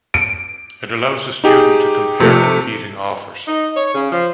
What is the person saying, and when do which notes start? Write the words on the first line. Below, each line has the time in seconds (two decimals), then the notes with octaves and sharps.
It allows a student to compare competing offers.
0.14 D7
1.44 D#4 G4 G#4
2.20 C3 F3 A3
3.47 D#4
3.75 C#5
3.94 C#3
4.12 F3